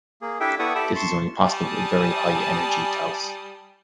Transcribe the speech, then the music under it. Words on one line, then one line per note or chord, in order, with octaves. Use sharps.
This is only possible with very high energy taus.
A#3 G#4
D4 E4 G4 A4 E5 G5
B3 E4 A4 D5 C#6 D#6
G4 A4 E5 G5 A5 B5
A5 C6 C#6
G3 G#5 A5 D#6